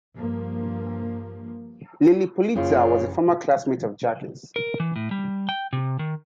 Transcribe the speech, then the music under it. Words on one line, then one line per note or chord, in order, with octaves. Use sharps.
Lilly Pulitzer was a former classmate of Jackie's.
G2 F3 A#3
F#1 C#3 C#4 F4 C#5
A#4
E3
A2
G3
G5
C3
D#3